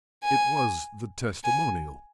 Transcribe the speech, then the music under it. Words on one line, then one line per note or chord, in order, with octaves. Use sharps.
It was the testimonial.
G#5
G#5